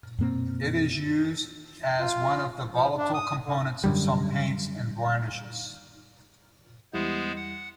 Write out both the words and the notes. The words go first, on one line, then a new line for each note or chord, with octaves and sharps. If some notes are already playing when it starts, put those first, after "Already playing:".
It is used as one of the volatile components of some paints and varnishes.
F#2 B2 A#3 C4
F4
F3
D4
D#6
D3
F#2 D3 G3
E2 G3 G#3 B3 E4 C5
F#5